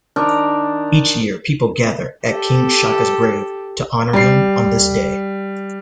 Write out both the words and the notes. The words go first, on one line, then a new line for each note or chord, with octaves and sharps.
Each year people gather at King Shaka's grave to honour him on this day.
D#3 D4 A#4
G4 A4
G3 C7